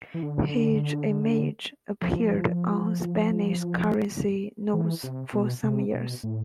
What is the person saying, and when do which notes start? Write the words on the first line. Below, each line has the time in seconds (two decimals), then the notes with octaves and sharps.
His image appeared on Spanish currency notes for some years.
0.14 E3
0.23 D3
2.02 F3
4.74 E3
5.03 C3
5.33 B2
5.63 C3
5.94 B2
6.23 A2